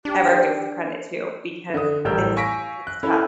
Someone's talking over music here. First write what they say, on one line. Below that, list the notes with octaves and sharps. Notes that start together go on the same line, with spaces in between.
ever gives credit to, because it's it's tough.
D4 G4
D3 D#6
A1 A2 G3 A#4 E6 G6
F5 G#5 C#6 A#6 B6 D7
F#6
C#4 E4 A4 E5 B5